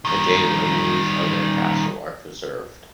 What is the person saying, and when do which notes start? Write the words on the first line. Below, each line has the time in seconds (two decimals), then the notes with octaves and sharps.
Today, the remains of their castle are preserved.
0.05 D#3 G3